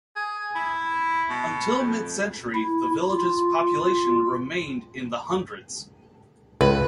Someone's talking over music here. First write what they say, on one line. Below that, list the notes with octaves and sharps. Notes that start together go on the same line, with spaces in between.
Until midcentury, the village's population remained in the hundreds.
G#4
E4
B2
F2
E4
F4
C#2 B4